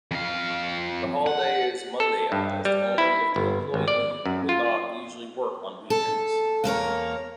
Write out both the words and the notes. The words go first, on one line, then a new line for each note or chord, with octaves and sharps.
The holiday is Mondayised only if the employee would not usually work on weekends.
F2 F5
F#5
A4
G2
G3
E4
G1
G#1
D5
F#2
F4
A4
E2 A#3 A#4 C#5